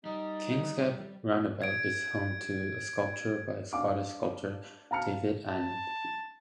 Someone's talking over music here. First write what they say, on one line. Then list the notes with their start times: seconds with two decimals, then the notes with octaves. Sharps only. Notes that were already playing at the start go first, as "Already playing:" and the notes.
Kings Gap roundabout is home to a sculpture by Scottish sculptor David Annand.
0.05 G3 D#4
1.62 G#6 D7
3.73 D4 D5 F5 D6
4.91 F5 A5 A#5 F6 C#7
5.48 A5